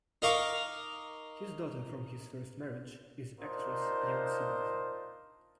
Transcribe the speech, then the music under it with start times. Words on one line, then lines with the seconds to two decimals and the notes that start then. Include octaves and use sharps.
His daughter from his first marriage is actress Yancy Butler.
0.22 D#4 A#4 F5 C#6 D6
3.39 D4 D#4 F4 A#4 C5